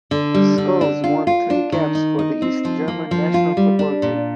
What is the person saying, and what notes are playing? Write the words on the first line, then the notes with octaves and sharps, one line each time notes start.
Schulz won three caps for the East German national football team.
D3
G3
D3
D4
F4
F4
D4
D#3
D#4
D#4
C4
F3
A#3
F3
F4
G3
D4
A#2